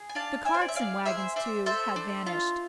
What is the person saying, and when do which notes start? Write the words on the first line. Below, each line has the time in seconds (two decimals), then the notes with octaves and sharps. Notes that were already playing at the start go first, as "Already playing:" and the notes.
The carts and wagons, too, had vanished.
Already playing: G#4
0.09 G#5
0.15 D4 F5 A5
0.45 D4 E5 G#5
0.54 C5
0.61 D5
0.68 E5
0.75 G#4 D5 F5
1.06 G#4 C5 E5
1.36 D4 C5 E5
1.66 A4 C5 E5
1.96 D4
2.26 F4